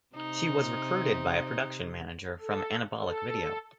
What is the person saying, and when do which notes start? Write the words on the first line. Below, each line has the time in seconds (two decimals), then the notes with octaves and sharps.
She was recruited by a production manager from Anabolic Video.
0.16 C3 D#4
2.40 A4
3.00 A4